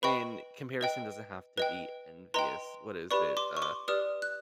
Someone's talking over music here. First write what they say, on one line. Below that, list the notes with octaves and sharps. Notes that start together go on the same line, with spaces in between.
And comparison doesn't have to be envious. What is it? Uh,
B4 D#5 G5 B5 C#6
B4 D#5 G5
B4 D#5 G5
B4 D#5 G5 A#5 C6
G4 B4 D5 B5 C#6
C6 D6
C#6
C6 D6
G4 B4 D5 D#6 F6
F#6